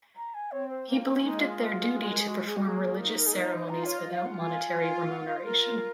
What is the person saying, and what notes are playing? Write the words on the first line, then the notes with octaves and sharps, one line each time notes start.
He believed it their duty to perform religious ceremonies without monetary remuneration.
A#5
G#5
C4 C#5
C5
A#3
G#3 D#4
F4
G#3
A#4
G#4
F#4
G#4
F#4
A#3 G#4
D#4 A#4
A#4
G#4
D#4 A#4
C#5
C5
F4 A#5
C#5
D#5
F5
F#5
F4 G#5
F4
F#5
F#5
F5
C5
F4 A#4